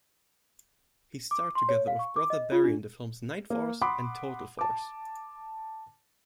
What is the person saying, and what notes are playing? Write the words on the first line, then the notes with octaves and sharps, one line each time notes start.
He starred together with brother Barry in the films "Nightforce" and "Total Force".
D6
C6
C#5
F5
C#6
D6
D#5
F4
D4
A#3
F#5 B5 C6 D6 D#6
A5 D6